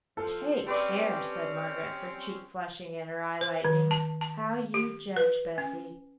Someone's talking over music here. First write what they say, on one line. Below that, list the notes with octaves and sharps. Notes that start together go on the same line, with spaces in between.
'Take care,' said Margaret, her cheek flushing, and her eye lightening, 'how you judge, Bessy.
F3 A4
C4 C#4 G4 B4 D5
C5
D#3
A5
A5
G4
B4
C#4